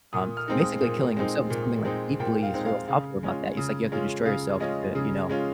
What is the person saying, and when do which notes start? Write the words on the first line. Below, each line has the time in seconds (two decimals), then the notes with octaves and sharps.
um, so basically killing himself there's something, like, deeply philosophical about that, it's like you have to destroy yourself to, you know,
0.13 A#2 D#6
0.37 F6
0.48 G#3 C4 D#4
0.60 D#6
0.82 A#2
1.16 G#3 C4 D#4
1.50 A#2
1.85 G#3 C4 D#4
2.19 A#2 G5
2.43 F5
2.54 G#3 C4 D#4
2.66 F5
2.88 C#3 F5
3.23 G#3 C#4 F4
3.57 C#3
3.92 G#3 C#4 F4
4.25 C#3 F5
4.60 G#3 C#4 F4 D#5
4.95 C#3
5.29 G#3 C#4 F4